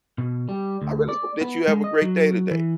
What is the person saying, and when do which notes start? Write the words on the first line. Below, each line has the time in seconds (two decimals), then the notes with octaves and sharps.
I really hope that you have a great day today.
0.18 B2
0.49 G3
0.82 D2
1.09 D5
1.41 B3
1.68 G#3
1.84 D#5
2.02 F#3
2.51 E3